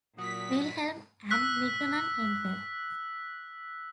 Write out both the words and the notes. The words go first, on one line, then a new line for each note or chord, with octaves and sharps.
Wilhelm and Mignon enter.
A#2 F#3 D#6 B6
E6 F#6 B6